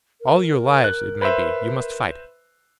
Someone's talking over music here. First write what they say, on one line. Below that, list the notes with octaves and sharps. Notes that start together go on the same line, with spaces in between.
All your lives, it may be, you must fight.
A#4
F#6
B4 C5 E5